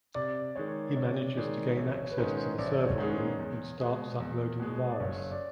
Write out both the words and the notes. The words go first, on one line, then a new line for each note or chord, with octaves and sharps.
He manages to gain access to the server room and starts uploading the virus.
C3 D5
D#3 G#3 C#5
C3 C#5
D#3 G#3 D5
A1 C#5
C#5
B4
G#2 D#3 G#3 C#4 C5
C5
A1 D5
C#5
C5
C#5
G#2 D#3 G#3 C#4
E2
B2 G#3
E2
B2 G#3
D5
F#1 C#5
D5